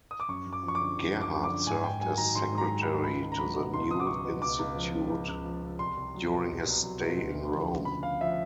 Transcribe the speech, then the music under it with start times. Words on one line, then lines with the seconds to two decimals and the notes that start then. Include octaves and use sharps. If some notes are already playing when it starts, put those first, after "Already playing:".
Gerhard served as secretary to the new Institute during his stay in Rome.
0.11 D#6
0.20 D6
0.28 F#2 C#6
0.47 F#2
0.53 D6
0.63 F3
0.68 C#6
0.75 D6
0.80 D3
0.98 F#2
1.15 F#2
1.21 D6
1.32 F3
1.44 D6
1.50 D3
1.67 G#2 G#5
1.83 G#2 G5
2.01 F#3 G#5
2.18 D#3 A#5
2.35 G#2 C6
2.52 G#2
2.58 A#5
2.69 F#3
2.82 D#3 B5
3.04 C#2 B5
3.22 C#2
3.32 A#5
3.38 F#3 B5
3.56 B2
3.74 C#2 C6
3.90 C#2 D#6
4.00 D6
4.07 F#3 C#6
4.25 B2
4.42 C#2 D6
4.59 C#2
4.76 F3
4.94 C#3
5.10 C#2
5.28 C#2
5.46 F3
5.62 C#3
5.79 C2 C6
5.97 C2
6.14 F#3
6.31 B2
6.48 C2
6.65 C2
6.82 F#3
6.99 B2
7.17 D2
7.35 D2
7.51 F3
7.69 C#3
7.85 D2 B5
8.03 D2 F5
8.21 F3 E5